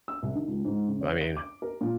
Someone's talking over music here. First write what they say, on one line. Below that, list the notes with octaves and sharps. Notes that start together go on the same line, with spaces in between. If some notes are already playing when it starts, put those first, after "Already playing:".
I mean,
E6
C2
D#3
C#2
G#2
C#3
C#5
D7
D6
A#4
A#2